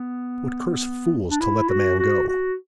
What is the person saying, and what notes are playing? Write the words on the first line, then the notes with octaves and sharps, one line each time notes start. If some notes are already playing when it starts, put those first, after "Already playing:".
'What cursed fools to let the man go!
Already playing: B3
D4
E4
F#4
F#4
F#4